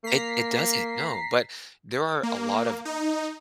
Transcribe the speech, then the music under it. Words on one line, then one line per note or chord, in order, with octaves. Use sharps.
It it doesn't, no, but there are a lot of
A#3 A#5 B6 C7
A#3
D#4